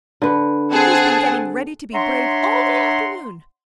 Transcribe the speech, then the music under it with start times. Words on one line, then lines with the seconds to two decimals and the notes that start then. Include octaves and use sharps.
'He's been getting ready to be brave all the afternoon.
0.22 D3 B4
0.72 C4 G#4 F#5 A5
1.93 D4 C#5 E5 F#5 A#5 C6